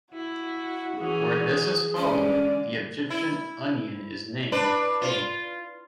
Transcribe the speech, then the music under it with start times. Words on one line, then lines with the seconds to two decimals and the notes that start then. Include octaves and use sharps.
Where this is followed, the Egyptian onion is named A.
0.14 E4 F#4
0.97 E3 C#4 G#4
1.97 D3 G#3 C#4 D5
3.10 E4
4.52 D4 B4
5.02 F4